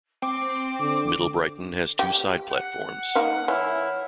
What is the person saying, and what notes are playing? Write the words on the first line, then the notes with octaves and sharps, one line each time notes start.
Middle Brighton has two side platforms.
C4 D6
D3
G4
F#5
A#3 D#4 F5
E3 E4 C#5 F#5 F6